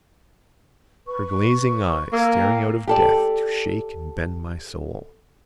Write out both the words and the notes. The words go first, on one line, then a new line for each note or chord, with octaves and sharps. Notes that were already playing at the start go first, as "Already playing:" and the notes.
Her glazing eyes, staring out of death, to shake and bend my soul.
B4 C#6
A#3 F5 E6 G#6
G5
G4 A4 D5